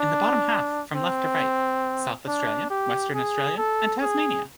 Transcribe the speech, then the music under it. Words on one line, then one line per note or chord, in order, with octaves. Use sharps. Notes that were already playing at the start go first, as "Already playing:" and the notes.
In the bottom half, from left to right: South Australia, Western Australia, and Tasmania.
Already playing: D4
C4
D4
G4
G#4
A4
G#4